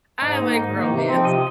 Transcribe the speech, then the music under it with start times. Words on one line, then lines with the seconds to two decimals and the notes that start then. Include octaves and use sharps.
I like romance.
0.22 G#2 D#4
0.39 D#3 A#3
0.55 G#2 D#4
0.73 D#3 A#3
0.90 C3
1.07 F3 C4
1.25 C3 D#5